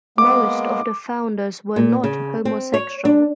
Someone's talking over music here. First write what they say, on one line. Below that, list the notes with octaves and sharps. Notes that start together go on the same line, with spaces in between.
Most of the founders were not homosexual.
G#3 A#3 B3 D6
A#2
C#3
C4
C#5
D4